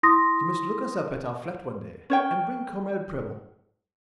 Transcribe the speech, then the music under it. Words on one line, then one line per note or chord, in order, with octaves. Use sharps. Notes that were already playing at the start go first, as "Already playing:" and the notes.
You must look us up at our flat one day, and bring Comrade Prebble.
E4 C6 D#6 A#6
C#4 C#5 G5